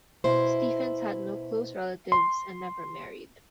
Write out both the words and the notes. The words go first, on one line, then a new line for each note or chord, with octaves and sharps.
Stephens had no close relatives and never married.
B2 E4 C5
C6